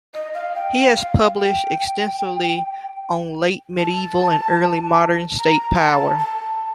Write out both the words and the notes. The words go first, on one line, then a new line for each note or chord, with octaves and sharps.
He has published extensively on late medieval and early modern state power.
D#5
F5
G5
F5
G5
A5
A#5
A#5
A5
A5